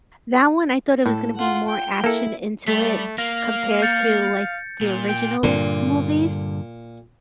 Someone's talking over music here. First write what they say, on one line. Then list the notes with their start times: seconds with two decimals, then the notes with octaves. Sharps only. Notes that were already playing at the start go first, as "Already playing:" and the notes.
That one, I thought it was gonna be more action into it compared to, like, the original movies,
1.06 A2 A4
1.35 F4 F#5
1.68 G5
2.04 A#3 E4 A4
2.68 G3 A3 B6
3.18 A#3 F5 A#6
3.82 G6 A6 C#7
4.81 A#2
5.09 G5
5.43 G2 A#2 D3